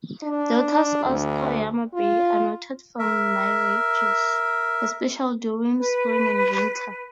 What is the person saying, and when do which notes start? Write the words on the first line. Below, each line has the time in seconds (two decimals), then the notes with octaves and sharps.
The waters of Toyama Bay are noted for mirages, especially during spring and winter.
0.23 D4
1.06 D2
1.93 F4
2.99 A#4 E5
5.78 B4